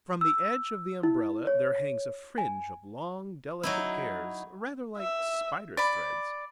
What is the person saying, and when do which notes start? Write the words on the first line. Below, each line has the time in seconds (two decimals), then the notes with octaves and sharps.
From the edge of the "umbrella" there hangs a fringe of long, delicate hairs, rather like spiders' threads.
0.21 E6
1.03 E4
1.47 C#5
2.38 G#5
3.63 F#3 D#4 E4
4.98 E5
5.77 D5 B5